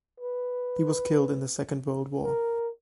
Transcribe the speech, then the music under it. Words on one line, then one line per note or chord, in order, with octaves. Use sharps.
He was killed in the Second World War.
B4
A#4